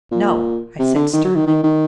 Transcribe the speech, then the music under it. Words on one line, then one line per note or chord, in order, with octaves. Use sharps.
"No," I said sternly.
A#2
C3
D3
D#3
F#3
D#3
D#3
D#3